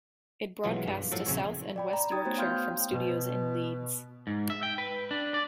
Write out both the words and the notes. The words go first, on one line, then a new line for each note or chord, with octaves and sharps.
It broadcasts to South and West Yorkshire from studios in Leeds.
B1 E3 F#3 G#3 F4
G2
A2 F3 F#3 A4
A#1 C#3 C4 C#5
D5 G5 B5
A#5 B5
D#4 G5 D#6 G#6 A6
A3 B3 F#4 C5 C#5 G5
F5 G5 C6 D#6 F6 G6
B2
G#2
E5
G5
B4
D4
D5